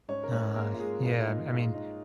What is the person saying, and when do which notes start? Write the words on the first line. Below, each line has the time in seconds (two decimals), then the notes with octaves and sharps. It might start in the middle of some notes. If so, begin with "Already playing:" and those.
Nah, yeah, b I mean,
0.08 G#2 C#4 C#5
0.23 A#4
0.32 G#2 C#4 C#5
0.55 G#3 A#3 A#4
0.74 F4
0.79 G#3 G#4
1.04 G#2 F4
1.27 G#2 D#4
1.51 G#3 F4
1.74 G#3 D#4